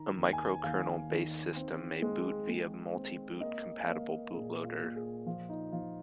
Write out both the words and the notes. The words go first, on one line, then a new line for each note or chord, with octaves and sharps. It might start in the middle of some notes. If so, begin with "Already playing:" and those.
A microkernel-based system may boot via multiboot compatible boot loader.
Already playing: D#3 A#5
D#2
G#5
D#2 F5
D#3
C4
G#3
G#3
C4
A#3 D#5
F5
A#3 D#5
A#2 G#4
F4
A#2
G#4
F3 F4
D#4
F3 F4